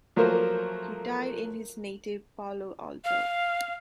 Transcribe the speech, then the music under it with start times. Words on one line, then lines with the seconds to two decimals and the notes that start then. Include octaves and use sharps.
He died in his native Palo Alto.
0.16 F3 F#3 A3 A#3 A#4 C5
3.04 F5